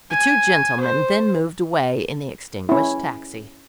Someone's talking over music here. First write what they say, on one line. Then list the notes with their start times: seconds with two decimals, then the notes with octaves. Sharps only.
The two gentlemen then moved away in the extinguished taxi.
0.10 G#5
0.80 C5
2.69 C#4 E4